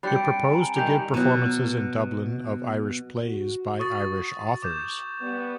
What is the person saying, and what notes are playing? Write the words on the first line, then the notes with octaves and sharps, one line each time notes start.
It proposed to give performances in Dublin of Irish plays by Irish authors.
G3 C4 D4 B5 G6 C#7
D7
G#5 A#5
D#3 G3 A#5 G6 F7
B2 F#3
F#4
C#6 D#6 A6
D6 G6 E7
G3 B3